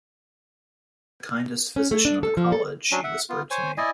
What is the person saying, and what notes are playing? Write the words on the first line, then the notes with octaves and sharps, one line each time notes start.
"The kindest physician in the college," she whispered to me.
C#4
A3
D4
A4
F3
A4
F#3 C#4 D4
E5 F#5
B3 F4
C5 C#5 G#5
E4 D5 D#5 G#5